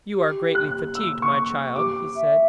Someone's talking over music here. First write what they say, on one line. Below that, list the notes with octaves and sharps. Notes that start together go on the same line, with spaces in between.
"You are greatly fatigued, my child," he said.
G4
F#6
E6
C#6
G4 D6
E5